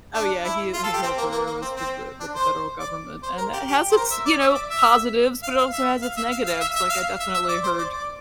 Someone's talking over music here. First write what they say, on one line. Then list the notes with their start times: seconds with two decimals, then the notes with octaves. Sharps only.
Oh, yeah. He, uh his whole career was with the with the federal government. And it has its, you know, positives, but it also has its negatives. Like, I definitely heard
0.14 D4
0.44 E4
0.73 F4
0.83 A4
0.93 G4
1.02 C4
1.18 A#3
1.32 A#3
1.47 A#3
1.62 C4
1.76 C4
2.20 D4
2.35 C5
2.79 D5
3.23 C5
3.38 A#4
3.53 G4
3.67 G4
3.91 C5
3.97 A#4
4.11 E5
4.26 D5
4.40 E5
4.55 D5
4.70 E5
5.43 F5
5.58 F5
5.73 E5
6.02 F5
6.17 E5
6.31 F5
6.46 F5
6.61 E5
6.76 E5
6.90 F5
7.20 E5
7.34 E5
7.49 D5
7.64 C5
7.78 D5
7.93 D5